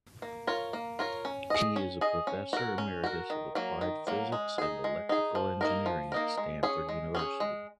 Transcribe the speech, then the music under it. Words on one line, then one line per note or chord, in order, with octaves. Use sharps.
He is a professor emeritus of Applied Physics and Electrical Engineering at Stanford University.
A#3
F4 A#4 C#5
A#3
F4 A#4 C#5
C#4
G#4 D#5
C#4
G#4 D#5
C#4
F#4 A#4
C#4
F#4 A#4
D#3
F#3 A#3
D#3
F#3 A#3
G#3
D#4 G#4
G#3
D#4 G#4
F3
A#3 D#4 A#4
F3
A#3 D#4 A#4
G#3
C#4 G#4 C#5
G#3
C#4 G#4 C#5
G#3